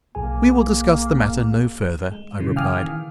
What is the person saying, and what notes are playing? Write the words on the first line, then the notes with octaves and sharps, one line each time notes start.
"We will discuss the matter no further," I replied.
B1 A#3 G#4 G#5
G#3
A#2 C#3 E3 F#3
F5 G5 G#5 D6 D#6 F6
D#3 E3